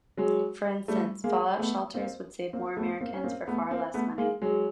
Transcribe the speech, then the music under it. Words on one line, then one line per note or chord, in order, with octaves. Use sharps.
For instance, fallout shelters would save more Americans for far less money.
F#3 G#3
G3 A3
G#3 A#3
A3 B3
A#3 C4
A#3 C4
A3 B3
A#3 C4
C#4
A#3 C4
A3 B3
A#3 C4
A3 B3
G#3 A#3
F#3 G#3